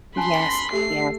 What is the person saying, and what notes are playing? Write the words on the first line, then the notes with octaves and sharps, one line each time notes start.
Yes, yes.
C#4 G#5 A5 B5 C6
A3 G4 E5 C7